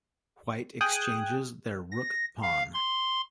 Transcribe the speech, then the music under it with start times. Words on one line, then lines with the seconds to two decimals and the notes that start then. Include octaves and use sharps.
White exchanges their rook pawn.
0.81 G#4 G5 G#5 D#6 F#6
1.92 A#6
2.43 F5
2.74 C6